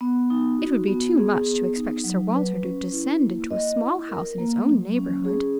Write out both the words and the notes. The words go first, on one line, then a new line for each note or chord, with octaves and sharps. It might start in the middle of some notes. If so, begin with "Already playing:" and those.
It would be too much to expect Sir Walter to descend into a small house in his own neighbourhood.
B3
D#4
F#4
B3
G#4
B3
D#4
F#3
B4
C#4
E4
A#3
D#5
E4
A#4
A#3
F#3
C#4
G#4